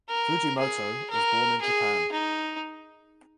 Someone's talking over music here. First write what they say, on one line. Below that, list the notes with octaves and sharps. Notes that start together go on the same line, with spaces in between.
Fujimoto was born in Japan.
A#4
G#4
A#4
G#4
D#4